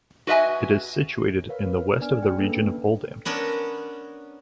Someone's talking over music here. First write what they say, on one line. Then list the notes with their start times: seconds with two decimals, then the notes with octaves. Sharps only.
It is situated in the west of the region of Oldambt.
0.27 F#4 B4 D#5 E5 G#5
1.49 A#4 B4 C#5 F5
2.01 B3 D4 D5 G#5 F6
2.19 G#4 G5
2.38 A#3 C#4 D4 A4 B4
3.25 B3 C#4 D4 A#4